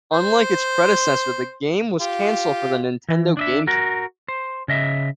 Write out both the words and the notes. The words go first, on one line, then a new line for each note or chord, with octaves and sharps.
Unlike its predecessor, the game was cancelled for the Nintendo GameCube.
C5
F4 G4
E3
D4 D#5 E5
F#4 A#4
C5
C#3 D#5 E5